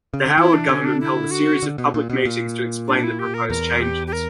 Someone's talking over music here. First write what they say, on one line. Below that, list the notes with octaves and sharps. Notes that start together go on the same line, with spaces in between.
The Howard Government held a series of public meetings to explain the proposed changes.
C#3
D3
E3 E4
D4
D3 C#4
D4
E4
F#4
D3
B2
A#2
B2
A#2
D4
E4
G4
A#4
E2 A#4
G4
G4
A#4